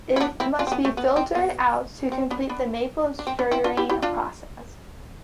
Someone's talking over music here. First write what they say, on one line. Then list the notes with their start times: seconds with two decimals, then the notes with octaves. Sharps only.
It must be filtered out to complete the maple sugaring process.
0.16 E4
0.20 B3 D4
0.40 C4 E4
0.59 D4 F4
0.67 C4
0.72 B3
0.85 A3
0.97 B3
1.16 C4
1.35 B3
2.12 C4
2.30 B3 D4
2.49 B3 D4
3.19 D4
3.27 C4
3.39 B3 D4
3.51 C4 E4
3.64 D4 F4
3.77 E4 G4
3.89 E4 G4
4.02 D4 F4